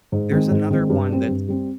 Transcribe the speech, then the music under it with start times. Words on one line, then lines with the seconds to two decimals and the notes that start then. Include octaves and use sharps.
There's another one that's
0.12 G#2
0.32 D#3 G#3 C4
0.51 G#2
0.70 D#3 G#3 C4
0.90 G2
1.09 G3 C4
1.28 G2
1.48 G3 C4